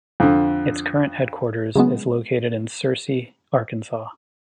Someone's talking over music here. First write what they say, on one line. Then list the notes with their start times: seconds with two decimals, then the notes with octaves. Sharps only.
Its current headquarters is located in Searcy, Arkansas.
0.20 F2 D3
1.76 C#3 F#3 G#3 B3